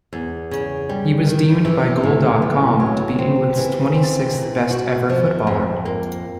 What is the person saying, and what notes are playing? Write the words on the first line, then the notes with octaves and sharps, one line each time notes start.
He was deemed by Goal dot com to be England's twenty-sixth best ever footballer.
E2
C#3
G3
D#3
E3
A2
B3
F#3
C4
E3
C4
A#2
F#4
F3
F2
A#3